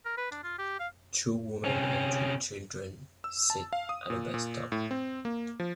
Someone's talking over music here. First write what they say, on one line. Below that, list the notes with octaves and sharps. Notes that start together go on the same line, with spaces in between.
Two women and two children sit at a bus stop.
A#4
B4
D4
F4
G4
F5
C3 C#4
E6
A5
F5
D#6
A#2
A#2
A2
C4
A#3
F3